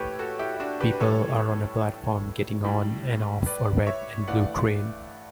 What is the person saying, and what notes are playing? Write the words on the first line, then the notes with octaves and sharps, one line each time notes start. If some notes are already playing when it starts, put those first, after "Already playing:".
People are on a platform getting on and off of a red and blue train.
Already playing: A2 E3 A3 G4 A4 B4 C#5
F#4 A4
E4 G4
E4
D4 F#4
G4 B4
B4
A2 E3 G3 A4 C#5
A2 G3
B4 D5
C#5 E5
G2 E3 A3 D5 F#5